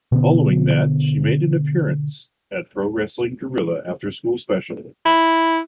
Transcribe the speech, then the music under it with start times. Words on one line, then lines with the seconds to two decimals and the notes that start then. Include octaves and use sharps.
Following that, she made an appearance at Pro Wrestling Guerrilla After School Special.
0.12 B2 D3 B3
5.05 E4